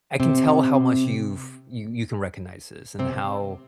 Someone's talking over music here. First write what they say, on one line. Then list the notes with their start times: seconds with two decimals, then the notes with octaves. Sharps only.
I can tell how much you've you you can recognize this and how
0.20 C3 C4
2.99 C3 C4